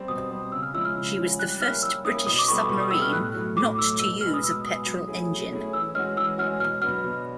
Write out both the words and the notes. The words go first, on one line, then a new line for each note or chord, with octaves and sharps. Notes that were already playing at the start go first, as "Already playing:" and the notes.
She was the first British submarine not to use a petrol engine.
Already playing: G3 C4
B2 D#6
G3 C4
C#3 E6
F6
F3 G#3 C#4 E4 E6
F6
C#3
F3 G#3 C#4 E4
G3 F#6
A#3 C#4 E4 F6
G3 E6
A#3 C#4 E4 D#6
B2 D#6
D6
G3 B3 E4 A4 C#6
B2 C#6
D#6
G3 B3 E4 A4 E6
F6
A2 F#6
F#3 A3
A2 D6
F#3 A3 E6
B2 E6
G#3 B3 F6
D#6
B2 E6
G#3 B3 D#6
F#3
A3 C#4 E4 G#4
F#3
A3 C#4 E4 G#4
E3 E6
G#3 C#4 F#4 F6
E3 E6
G#3 C#4 F#4 F6
B2 F6
F#3 B3 D4 F#4 F6
B2